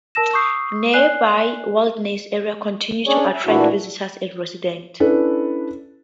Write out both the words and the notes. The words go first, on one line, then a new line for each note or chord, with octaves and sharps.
Nearby wilderness areas continue to attract visitors and residents.
A#4 A5 E6 A#6 E7
C#6 D#6 E6 G6 C7
D5 G#5 F#6 C7
C#4 D4 G#4 C#5 D5
E5
A#2 E3 A3 D4 E4 F#4
C#4 D4 E4 A4 B4